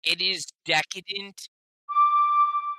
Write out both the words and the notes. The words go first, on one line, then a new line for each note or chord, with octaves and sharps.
it is decadent
D6